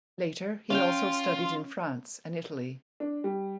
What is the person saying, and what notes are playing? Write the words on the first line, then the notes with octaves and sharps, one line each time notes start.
Later he also studied in France and Italy.
C#4 F4 F5 G5
D4
G3